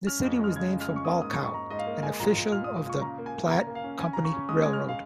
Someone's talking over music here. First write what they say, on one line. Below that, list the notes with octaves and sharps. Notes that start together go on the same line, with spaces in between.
The city was named for Bolckow, an official of the Platte Company Railroad.
C#4 F6
F2
G#3 F6
C#3 G#6
C#3
F6
C#4
C#6
A#3 D#6
G#2 D#6
C#6
G#2
C#6
G#2 A#5
G#2 D#5
F5
A#3
G#3 G#5
A#2 A#5
A#2
A#2 F6
D#6
G#3
D#6
A#2 C#6
C#3 A#5
A#3
G#5
A#3
C#3 A#5
A#3
F5
C#4
C#4 G#5
C#3 A#5
C#6
C#4
G#3 D#6
G#3 G#6
F6
G#3
F5